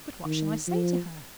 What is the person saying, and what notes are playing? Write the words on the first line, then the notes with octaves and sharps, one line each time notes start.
"But what shall I say to her?"
D#3
F3